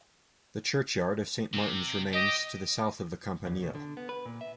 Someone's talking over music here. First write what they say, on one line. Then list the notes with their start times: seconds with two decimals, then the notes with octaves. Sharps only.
The churchyard of Saint Martin's remains to the south of the campanile.
1.53 C3
2.14 G4 D#5
3.47 E2
3.62 B2
3.75 D3
3.97 B3
4.09 B4
4.26 A#2
4.41 E5